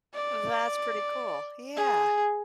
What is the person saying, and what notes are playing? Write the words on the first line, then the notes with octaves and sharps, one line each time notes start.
That's pretty cool, yeah.
D5
G#4